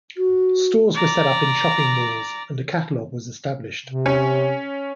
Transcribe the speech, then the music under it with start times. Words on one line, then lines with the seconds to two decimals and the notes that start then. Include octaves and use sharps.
Stores were set up in shopping malls and a catalog was established.
0.17 F#4
0.95 D5 A#5
3.86 C3
4.06 C#4